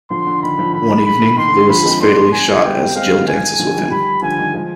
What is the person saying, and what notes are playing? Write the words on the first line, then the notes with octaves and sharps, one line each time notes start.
One evening, Louis is fatally shot as Jill dances with him.
D3 F3 C6
D3
D#3 B5
D3 F3
D3 B5
B5
D#3 C6
D3
D3 F3 B5
G#3 C4
B3 D4 C6
G#5
G3 B3 G5
G#3 C4 F5
D3
D#3 G#5
D3 F3
D#3 G3
D#3 G3 B5
D3 F3 G#5
D#3 G3
F3 G#3